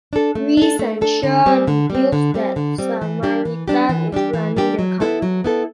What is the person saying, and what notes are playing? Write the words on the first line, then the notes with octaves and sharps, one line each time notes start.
Reese and Shaw deduce that Samaritan is running the company.
D4 A4
A3
D4 A4
A3
D4 A4
D3
G3 C4
D3
G3 C4
D3
G3 C4
D3
G3 C4
E3
G3 D4 G4
E3
G3 D4 G4
E3
G3 D4 G4
E3
G3 D4 G4
F#3
B3 E4 A4
F#3
B3 E4 A4